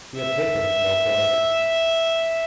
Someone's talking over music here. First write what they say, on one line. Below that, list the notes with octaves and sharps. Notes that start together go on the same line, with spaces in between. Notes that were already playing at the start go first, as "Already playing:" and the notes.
She had taken no prizes.
E5